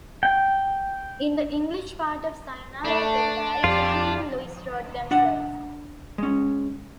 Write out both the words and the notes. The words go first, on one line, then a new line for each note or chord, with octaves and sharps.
In the English part of sayonara goodbye, Joni and Louis wrote themselves.
G5
A3 D4
F2 F4 G4 D5
D4 F#5
G#3 C#4